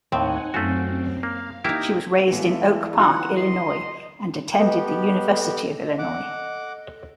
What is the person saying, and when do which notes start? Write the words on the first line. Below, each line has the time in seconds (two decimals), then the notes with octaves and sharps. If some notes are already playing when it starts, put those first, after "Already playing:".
She was raised in Oak Park, Illinois, and attended the University of Illinois.
0.12 D#2 A2 C4 D#4 F#5 G#5
0.54 F#2 A3 C4 C#4 F4 F#4
1.23 A#3 F5
1.64 A#3 D#4 E4 G4 D6 D#6
2.32 E3 G#3 A3 B3 F4
2.99 D#4 F4 F#4 F#5
3.37 D#5 C6
4.59 B3 G4 A4 D#5
5.99 F#5 D6